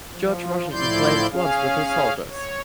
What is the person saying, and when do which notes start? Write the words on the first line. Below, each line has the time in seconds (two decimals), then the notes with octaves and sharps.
George Washington played it once with his soldiers.
0.12 F3
0.71 A2 F3 E4 D5 C6 G6
1.31 C#4 G#4 F5
2.28 C#5